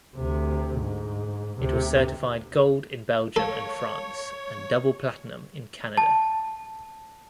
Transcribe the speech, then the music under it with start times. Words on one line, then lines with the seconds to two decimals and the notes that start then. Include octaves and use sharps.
It was certified gold in Belgium and France and double platinum in Canada.
0.16 D2 C3
0.80 G#2
1.59 D2 C3
3.36 A4 C#5 F5 A5
5.97 A5